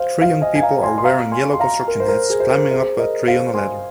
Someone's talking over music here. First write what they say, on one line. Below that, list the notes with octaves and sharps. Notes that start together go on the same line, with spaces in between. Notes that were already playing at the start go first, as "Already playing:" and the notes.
Three young people are wearing yellow construction hats climbing up a tree on a ladder.
Already playing: C5 F5
C5 F5
D#5 G#5
G#5
F5 A#5
G#5 C6
C6
F5 A#5
G#5 C6
C6
F5 A#5
A#4
C5
A#4
G#4
C5
A#4
G#4 C5
A#4 D#5
C5 F5
G#5 C6